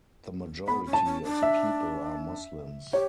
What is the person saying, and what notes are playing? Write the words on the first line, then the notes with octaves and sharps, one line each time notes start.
The majority of the people are Muslims.
B3 B5
C#4
A5
C#4
D4
E5
G4 C#5